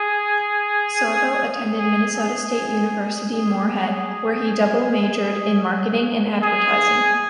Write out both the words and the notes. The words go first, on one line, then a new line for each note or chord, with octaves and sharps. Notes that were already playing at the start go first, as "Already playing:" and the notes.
Sorbo attended Minnesota State University Moorhead, where he double majored in marketing and advertising.
Already playing: G#4
G#4
G#4
G#4
G#4